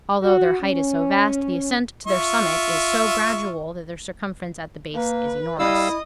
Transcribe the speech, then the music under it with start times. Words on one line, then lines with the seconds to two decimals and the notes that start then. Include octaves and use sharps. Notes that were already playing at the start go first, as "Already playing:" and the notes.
Although their height is so vast, the ascent to their summits is so gradual that their circumference at the base is enormous.
0.23 F#4
0.62 C#4
2.07 F4 E5 C#6
4.94 A#3 B4
5.59 G3 E4 D#5 F5 D#6 E6